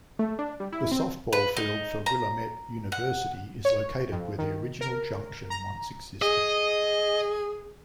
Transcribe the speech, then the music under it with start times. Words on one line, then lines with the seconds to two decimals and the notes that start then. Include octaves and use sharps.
The softball field for Willamette University is located where the original junction once existed.
0.19 A3
0.39 D4
0.60 G3
0.73 E4
0.91 C4
1.33 B4
1.57 D#4
2.06 A#5
2.92 F#5
3.65 C#5
4.12 F2
4.38 D#3
4.81 A#4
5.50 A#5
6.22 G#4 D#5